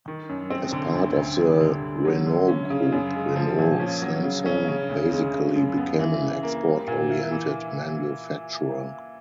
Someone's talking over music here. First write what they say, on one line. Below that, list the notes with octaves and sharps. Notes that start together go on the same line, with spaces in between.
As part of the Renault group, Renault Samsung basically became an export-oriented manufacturer.
D#3
F#2
C4
D3
D2
D2
G3
D3
D3
F#3
D3
C#4
C#3
F#2
G#3
F3
A#2
C#4
F#3
C#3
C#4
C#3
D2
G#3
C#3
F#2
B3
E3
C#3
A#3
G3
A#2
E4
E3